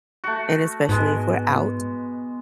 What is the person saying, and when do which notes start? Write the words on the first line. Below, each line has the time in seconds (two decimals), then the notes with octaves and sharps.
And especially if we're out
0.24 A3 F#4
0.89 G#2 B2 G#3